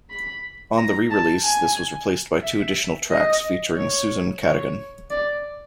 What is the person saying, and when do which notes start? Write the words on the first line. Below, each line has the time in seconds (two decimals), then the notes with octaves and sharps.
On the re-release, this was replaced by two additional tracks featuring Susan Cadogan.
0.10 B5
0.77 A#5
1.11 A5
1.44 G#5
2.43 E5
3.11 D#5
3.77 C#5
4.43 C#5
5.10 D5